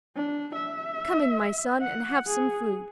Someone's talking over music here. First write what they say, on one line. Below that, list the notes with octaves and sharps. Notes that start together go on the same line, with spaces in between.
'Come in, my son, and have some food.
D4
E5
F#5
G#4